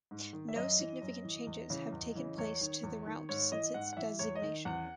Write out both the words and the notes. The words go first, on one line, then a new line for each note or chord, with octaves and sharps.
No significant changes have taken place to the route since its designation.
G#2
D#3
E5
F#2 D#5
E3
F#2
E3
E2
C#3 E3
E2
C#3 E3
E2 C#5
D#3
E2
D#3
G#2 C#5
E3 D#5
G#2 F#5
F#5
E3 E5
E2 C#5
D#5
D#3
E2 F#5